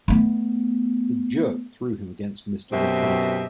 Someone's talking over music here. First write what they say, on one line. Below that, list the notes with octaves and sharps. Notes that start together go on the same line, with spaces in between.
The jerk threw him against Mr. Ricardo.
A3 B3
F#2 B2 C4 G4 E5